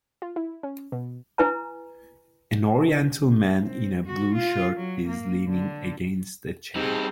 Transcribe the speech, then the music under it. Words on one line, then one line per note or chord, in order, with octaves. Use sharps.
An oriental man in a blue shirt is leaning against a chain.
F4
E4
C#4
B2
E4 B4 G#5 A#5
C4
F#4
F4
F#3
A#3
D3
G3 C4 D#4 G#4